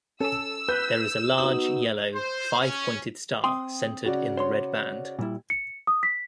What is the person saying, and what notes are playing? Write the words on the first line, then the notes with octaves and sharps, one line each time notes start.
There is a large, yellow, five-pointed star centered in the red band.
C#4 A4 E6
B4 G6
B3 D#4 F#4 D#6 F#7
C5
C#4
C4 G5 C6 D#6
C#3 F#4 D5
C5 C#5 C6
A#2 G3 E4
C#7
D#6
B6